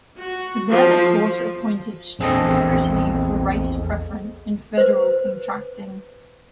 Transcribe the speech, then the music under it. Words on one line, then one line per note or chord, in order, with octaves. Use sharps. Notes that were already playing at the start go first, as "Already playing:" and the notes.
There the Court adopted strict scrutiny for race preference in federal contracting.
F#4
F3
A#1 E2 C4 G#4 A4 D#5
B4 C5